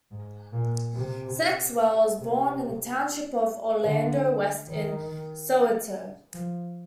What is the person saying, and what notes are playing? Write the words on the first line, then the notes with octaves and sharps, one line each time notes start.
Sexwale was born in the township of Orlando West, in Soweto.
G#2
A#2
C3
C3
D3
D#3
F3